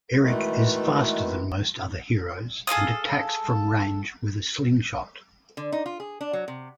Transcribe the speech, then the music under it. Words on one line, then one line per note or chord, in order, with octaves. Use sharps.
Erik is faster than most other heroes, and attacks from range with a slingshot.
B2 D#3 E3 G#3 A3
G#4 A4 F5 D#6
D3
D#4
F4
G#4
D4
F#3
C3